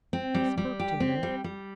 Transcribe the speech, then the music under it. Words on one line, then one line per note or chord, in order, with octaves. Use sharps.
I spoke to her.
C4
G3
G3
G4
C4
G3
G3